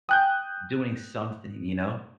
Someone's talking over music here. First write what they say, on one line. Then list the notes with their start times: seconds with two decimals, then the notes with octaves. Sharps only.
doing something, you know,
0.09 G5 G#5 A#5 D#6 F#6 G6